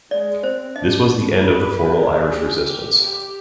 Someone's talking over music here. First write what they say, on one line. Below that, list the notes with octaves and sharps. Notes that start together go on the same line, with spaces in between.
This was the end of formal Irish resistance.
G#3 D5
C4 C5
D4 D#5
B4
G#4 D5
G4
G4